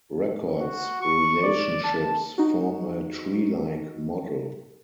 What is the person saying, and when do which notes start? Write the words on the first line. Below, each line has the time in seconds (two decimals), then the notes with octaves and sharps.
Records' relationships form a treelike model.
0.60 F#4
1.01 C#6
1.43 D5
1.84 A5
2.38 D#4 F#4